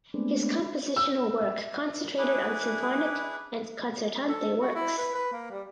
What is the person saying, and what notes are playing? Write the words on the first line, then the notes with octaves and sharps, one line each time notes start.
His compositional work concentrated on symphonic and concertante works.
G#3 A3 B3 C4 D4
E6
E5
D4 E4 G#4 B4
A4
F#4
E4
B4
B4
A#3
G3